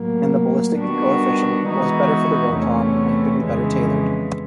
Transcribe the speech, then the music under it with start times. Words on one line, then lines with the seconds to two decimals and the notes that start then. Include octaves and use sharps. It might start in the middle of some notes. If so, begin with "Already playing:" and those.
And the ballistic coefficient was better for the Roton and could be better tailored.
Already playing: A2 F#3 A#3
0.78 D#3 G3 B3 D4 F#4
1.67 E3 G#3 B3 D#4 F#4
2.55 E2 C3 E3 A3 C#4
3.42 F2 C#3 E3 G#3 B3